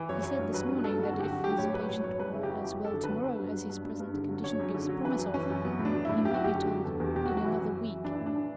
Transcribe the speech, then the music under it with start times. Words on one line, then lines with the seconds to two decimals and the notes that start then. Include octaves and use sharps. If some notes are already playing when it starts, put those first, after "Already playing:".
"He said this morning that if his patient were as well to-morrow as his present condition gives promise of, he might be told in another week."
Already playing: E3
0.09 F#2 C#5
0.23 F#3 C#5
0.39 G2
0.53 F#3 B4
0.69 G2
0.84 G2 A4
0.99 G2 F#4
1.13 D3
1.20 G4
1.23 F#4
1.29 F#3
1.43 F#3 G4
1.58 A2 C#5
1.74 F#3 B4
1.88 A2 C#5
2.04 F#2 C#5
2.19 F#2 B4
2.33 C#3 E4
2.43 G4
2.49 F#3 F#4
2.64 F#2 G4
2.78 F#2
2.85 A4
2.94 D3
3.04 B4
3.10 F#3
3.24 F#3 B4
3.40 G2
3.54 F#3
3.70 G2
3.85 G2
4.00 G2
4.14 D3
4.29 F#3
4.44 F#2 C#5
4.60 F#2
4.75 D3
4.89 F#3
5.04 E3 B4
5.19 F#2
5.34 E3 C#4
5.50 F#2
5.65 F#3 B3
5.79 A2
5.85 D4
5.94 F#3
6.05 A2 E4
6.25 F#2 G4
6.34 F#4
6.39 F#2 G4
6.55 D3
6.70 F#3
6.85 E2 A4
7.00 E2 G4
7.15 B2 G4
7.26 F#4
7.29 F#3
7.37 F#4
7.44 E3 E4
7.59 F#2
7.75 E3
7.90 F#2
8.04 E3 D4
8.15 A2 E4
8.26 D4
8.36 E3